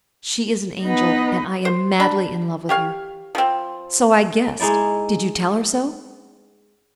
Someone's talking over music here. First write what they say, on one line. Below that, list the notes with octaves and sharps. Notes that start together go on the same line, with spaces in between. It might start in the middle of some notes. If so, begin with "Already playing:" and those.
"She is an angel, and I am madly in love with her." "So I guessed; did you tell her so?"
B3 D#4 B4
C5
D4 B5
G4 C#5 F5
F3 C4
G#3 D#4 E4 D5